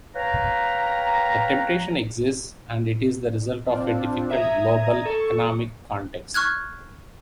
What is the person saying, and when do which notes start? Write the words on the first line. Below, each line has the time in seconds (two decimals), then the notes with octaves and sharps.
The temptation exists, and it is the result of a difficult global economic context.
0.16 B4 C#5 F5 G5 A#5
3.69 C4 D4 F4
4.31 E5 A#5 D#6 G#6
5.05 A4 C#6
6.34 C#6 F6 F#6 G#6